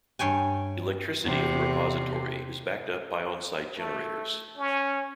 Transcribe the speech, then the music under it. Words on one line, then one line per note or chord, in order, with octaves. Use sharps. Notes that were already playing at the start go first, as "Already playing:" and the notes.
Electricity at the repository is backed up by on-site generators.
G2 C#5 G5 G#5
E2 C3
A3
C#4